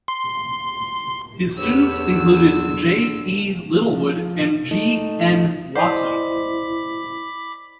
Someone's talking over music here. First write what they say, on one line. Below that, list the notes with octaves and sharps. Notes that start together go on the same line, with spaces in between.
His students included J. E. Littlewood and G. N. Watson.
C6
E2 D3 G4 B4 C#5 E6
F#3
F3
A3 D#4
E4 C5 D5 D#5 B5 D6 B6